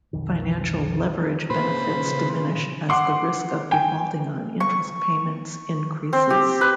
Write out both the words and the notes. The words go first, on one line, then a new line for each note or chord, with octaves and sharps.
Financial leverage benefits diminish as the risk of defaulting on interest payments increases.
B1 F2 D#3
A#2 C#3 B4 C5 B5
F#5 C6 D6
G5 G#5
C#6
C4
G4
B4